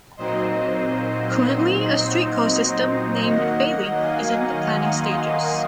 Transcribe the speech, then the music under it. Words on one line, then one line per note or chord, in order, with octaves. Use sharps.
Currently, a streetcar system, named 'Baylink' is in the planning stages.
A#2 F#3 C4 D#4 C5 D#5
D#3 F#3 A#3 D#5 F#5
F5 G#5
C6 D#6